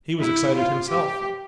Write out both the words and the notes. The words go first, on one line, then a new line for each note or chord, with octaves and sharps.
He was excited himself.
E4
F4
G4